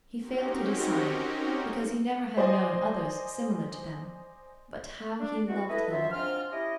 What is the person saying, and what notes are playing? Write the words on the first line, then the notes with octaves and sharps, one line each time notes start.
He failed to decide, because he never had known others similar to them; but how he loved them!
C4 C#4 D#4 F#4 G4 A#4
C5 D5 D#5 G#5
D4
E2 G#3 C4 F#4
E4 A4 B4 D#5
C#2 F#2 F4 C5 E5
G#2 C4 D4 F4 F6
C#4 E4 G4 D#5